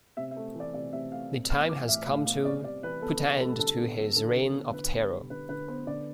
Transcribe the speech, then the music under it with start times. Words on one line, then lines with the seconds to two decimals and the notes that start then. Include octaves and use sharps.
The time has come to put an end to his reign of terror.
0.17 C3 E5
0.31 E5
0.36 A3
0.55 E3 D5
0.74 C3 D5
0.93 C3 E5
1.12 A3 F5
1.31 A2
1.50 B3 F6
1.69 E3 D6
1.88 A2 E5
2.07 A2 F5
2.26 B3 F5
2.45 C3 D5
2.64 G3 D5
2.83 E3 B4
3.02 B3 A4
3.21 C3
3.40 G3 A4
3.59 D3 A4
3.78 B3
3.97 F3
4.16 D3 A4
4.35 D3
4.54 B3
4.73 D3 B4
4.92 B3
5.11 G3
5.30 D3 B4
5.49 D3 B4
5.68 B3 C5
5.87 D3 D5